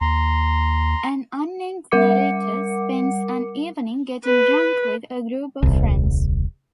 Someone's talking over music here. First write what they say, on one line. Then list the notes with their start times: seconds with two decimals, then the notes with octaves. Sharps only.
An unnamed narrator spends an evening getting drunk with a group of friends.
0.01 D#2 A#5 C6
1.91 G3 A#4 F#5 D6 C#7
4.25 B4
5.63 D#1 C2